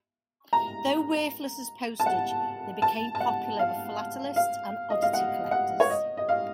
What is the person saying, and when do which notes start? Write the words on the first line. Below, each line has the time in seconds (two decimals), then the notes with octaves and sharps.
Though worthless as postage, they became popular with philatelists and oddity collectors.
0.53 A#5
2.00 A5
2.06 F#5
2.82 A5
3.15 A5
3.20 F#5
3.59 F5
4.36 F5
4.90 D#5
5.02 F5
5.13 F#5
5.51 F#5
5.80 C#5
5.90 D#5
6.17 D#5
6.29 F5